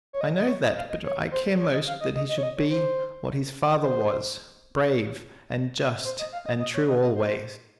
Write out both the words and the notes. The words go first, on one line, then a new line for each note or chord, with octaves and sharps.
"I know that, but I care most that he should be what his father was--brave and just and true always."
C#5
D#5
D#5
C#5
D#5
F5
D#5
C#5
C5
C#5
D#5
F5
D#5
D#5
D#5
C#5
D#5
C#5
C5
C5
C5
D#5
F5
D#5
D#5
C#5
D#5
D#5
C5